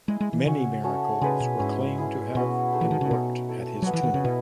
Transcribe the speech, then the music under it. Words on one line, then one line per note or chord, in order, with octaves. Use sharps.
Many miracles were claimed to have been worked at his tomb.
G#3 E4 G#4 D#5
G#3
E3
C#3 C#4 F#4 C#5 E5
A3 C#4 F#4 A4
C#3 G#3 D#4 G#4 B4
B2
G#2 C#4 E4 G#4
C#4 E4 G#4
B2 C#4 F#4 B4
A3 D#4 G#4
E3
D#3
C#3
B2 D#4 A4 C#5
A3 E4 A4
F#3 B3 F#4 B4 E5
E3
D#3
C#3
B2 E4 B4 D#5